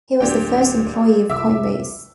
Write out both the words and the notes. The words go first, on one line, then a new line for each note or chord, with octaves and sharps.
He was the first employee of Coinbase.
D1 A#1 A#2 D4 G4 G5
C2 F2 E5 D6 E6